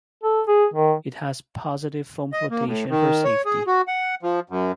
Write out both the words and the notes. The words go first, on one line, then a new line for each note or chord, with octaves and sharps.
It has positive foam flotation for safety.
A4
G#4
D#3
D#5
A#3
A2
D#3
C#5
G#4
F#4
F#5
F3
F#2